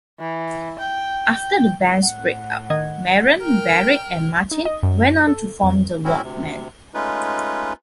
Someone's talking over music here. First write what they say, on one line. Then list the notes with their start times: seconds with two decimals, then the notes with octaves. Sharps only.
After the band's break-up, Maroon, Barrick, and Martin went on to form The Walkmen.
0.20 E3
0.79 G5
1.33 G5
2.02 A2 F#5
2.70 D#3 D#5 G#6
3.40 A#4 G5 F6
4.51 D#4
4.65 D#5
4.83 F#2
5.27 A4
5.63 F2
6.04 A2 G3 C4 C#4 E4 F#4
6.23 D2 C3
6.94 G#3 A3 C#4 D#4 F4 B4